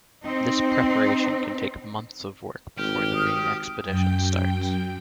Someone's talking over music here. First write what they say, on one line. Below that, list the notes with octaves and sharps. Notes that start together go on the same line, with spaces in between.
This preparation can take months of work before the main expedition starts.
C4 D#4
G#1 G4 F6
D#6
F#2 G5